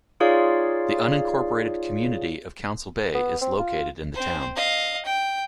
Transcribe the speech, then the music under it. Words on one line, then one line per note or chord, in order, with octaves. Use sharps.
The unincorporated community of Council Bay is located in the town.
D#4 F4 G#4 C#5 D5 F5
B3
C4
F4
C4 C5
D#5 F5
G5